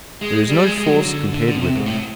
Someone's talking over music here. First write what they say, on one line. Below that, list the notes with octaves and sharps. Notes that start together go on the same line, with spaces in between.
There is no force compared with it.
G#3
G3
G#3
G#3
G3
F#3
D3
D3
D3
B2
C3
G#2
A2